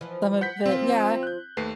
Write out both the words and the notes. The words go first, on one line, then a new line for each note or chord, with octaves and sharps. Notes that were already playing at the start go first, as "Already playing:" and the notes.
Some of it yeah,
E3 F3
F#5 G6 B6
F3 C4 F4
F#6 G6
D#2 A3 B4 C7